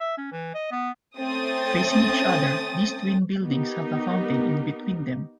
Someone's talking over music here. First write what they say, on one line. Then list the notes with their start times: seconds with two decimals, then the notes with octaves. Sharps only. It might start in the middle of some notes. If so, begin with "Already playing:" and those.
Facing each other, these twin buildings have a fountain in between them.
0.01 E5
0.18 C#4
0.32 E3
0.54 D#5
0.71 B3
1.18 A3 C4 C#4 G5 D#6 A6
3.45 B3 D#4 G4 A#4